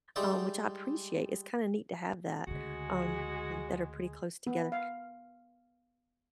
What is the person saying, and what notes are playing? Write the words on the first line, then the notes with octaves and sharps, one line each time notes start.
um, which I appreciate, it's kinda neat to have that, um, that are pretty close together,
G3 G#3 D#4 D5 E5
D2 C#3 G#3 F#4 G#4
B3
F5